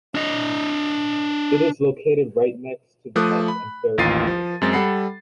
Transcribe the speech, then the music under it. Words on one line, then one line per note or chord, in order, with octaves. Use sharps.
It is located right next to the bus and ferry terminals.
D4 D#5
F3 A3 D6 D#6 F#6
B5
A1 D#2 F4 A6 C7 D#7
F3
F#2 G#3 C4 A6
G3 A4 F#5 B5 C7